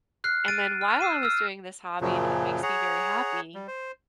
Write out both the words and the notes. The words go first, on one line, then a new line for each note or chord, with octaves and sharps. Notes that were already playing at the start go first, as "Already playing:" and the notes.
And then while I was doing this hobby that makes me very happy
F6 F#6 C7
A6 D7 D#7
F6
E6 C7 D#7 E7
E6 F6
F#2 A#2 C#3 F3 F#3
G#4 C#5 F#5 A#5
G3
C5